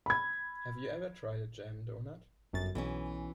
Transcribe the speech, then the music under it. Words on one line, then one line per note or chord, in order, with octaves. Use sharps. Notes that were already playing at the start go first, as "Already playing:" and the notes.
Have you ever tried a Jam Donut?
B5 G#6
G1 F#2 A6
B1 E3 C#4